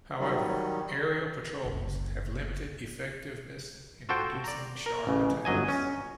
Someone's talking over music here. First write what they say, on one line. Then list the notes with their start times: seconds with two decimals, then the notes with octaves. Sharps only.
However aerial patrols have limited effectiveness in reducing shark attacks.
0.19 D#3 F#3 G3
1.65 F#1 C2
4.09 F4 F#4 A4 C5 G5
4.44 D5 A#5
4.86 A#4
5.07 A1 C#3
5.45 G1 F#3 D#5 G#5
5.68 C#4